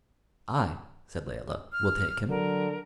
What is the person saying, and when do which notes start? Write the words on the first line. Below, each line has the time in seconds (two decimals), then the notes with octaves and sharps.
"I," said Layelah, "will take him."
1.72 F6
2.29 D3 F#3 A#4